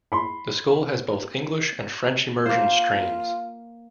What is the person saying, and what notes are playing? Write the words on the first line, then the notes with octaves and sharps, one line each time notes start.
The school has both English and French Immersion streams.
B5 C6
A#3 F4 C5